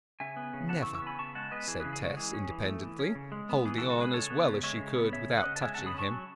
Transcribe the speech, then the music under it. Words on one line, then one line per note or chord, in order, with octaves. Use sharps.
"Never!" said Tess independently, holding on as well as she could without touching him.
C#3 E5 G#5
B3
C#3
E3 F#5 A5
C#6 E6
C#3
C#6 E6
B3 G#5 B5
C#3 A5 C#6
G#3 F#5 A5
B3 B4 D#5
E3 G#4
C#3 G#4 B4
G#4
G#3 F#4
E3 G#4
C#4
E3
A3
E3
C#4
C#3
G#3
B3
E3 G#4
F#4 A4
C#3
F#4 A4
G#3 G#4 B4
C#3 A4 C#5
B3
C#3
G#3 C#5 E5
C#3
B3
C#3 C#5 E5
C#4
D#5 F#5
C#3
A5
G#3 E5 G#5
C#3 F#5 A5
B5 D#6
C#4 A5 C#6
F#3